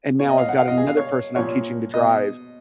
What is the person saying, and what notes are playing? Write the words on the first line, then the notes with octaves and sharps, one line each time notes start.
And now I've got another person I'm teaching to drive,
B2 C#5
D#5
F5
F#5
F5
D#5
B2 G#4
F5
C#5
A#2 F3 C#5
B2 D#5